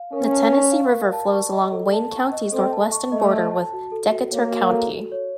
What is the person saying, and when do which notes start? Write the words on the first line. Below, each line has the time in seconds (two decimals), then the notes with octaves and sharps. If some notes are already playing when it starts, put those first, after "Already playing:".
The Tennessee River flows along Wayne County's northwestern border with Decatur County.
Already playing: F5
0.12 C#4 A#4
0.32 A5
0.53 C#6
0.72 F5
0.92 A#4
1.13 A5
1.32 C#6
1.52 D#5
1.72 A4
1.92 A5
2.12 C#6
2.32 D#5
2.52 C4 A4
2.72 A5
2.92 C#6
3.12 A3 D#5
3.32 A4
3.51 A5
3.73 F#4
3.92 A4
4.12 F#4
4.32 A#3 C#5
4.52 F#4
4.71 A4
4.91 F#4
5.12 C#5